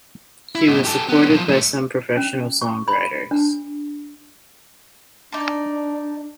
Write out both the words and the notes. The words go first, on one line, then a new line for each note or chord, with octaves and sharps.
She was supported by some professional songwriters.
E4
G#2 B2
G4 A4
B3 C#4
B1 F3
G#2 A3
C#4
C#6
B5
D4
D4 D#4 D5 A5